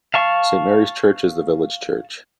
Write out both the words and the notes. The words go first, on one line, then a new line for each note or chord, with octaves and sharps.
Saint Mary's Church is the village church.
F5 A5 C#6